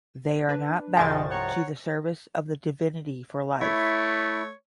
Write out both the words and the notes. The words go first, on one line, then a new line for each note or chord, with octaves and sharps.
They are not bound to the service of the divinity for life.
D4 B4
C2 G2 F3 G#3 C5 G#5 C#6 A6
C#5 F#5 A#5
A3 E4 C#5